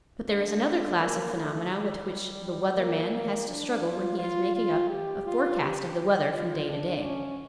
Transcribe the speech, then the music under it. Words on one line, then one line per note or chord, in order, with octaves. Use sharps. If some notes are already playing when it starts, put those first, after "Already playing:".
But there is another class of phenomena with which the "weather man" has to struggle when he is making up a forecast of the weather from day to day.
D3
A#3
A3
G3
A#3
A#3
D4
F4
F4
F4
G4
F4
G4
F4
D4
C#4